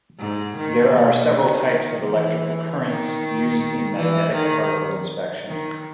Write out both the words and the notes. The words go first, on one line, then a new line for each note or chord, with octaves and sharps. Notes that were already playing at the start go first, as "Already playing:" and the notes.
There are several types of electrical currents used in magnetic particle inspection.
G#2
D#3
B2
D#3
E3
D#3
E3
D#3
D#3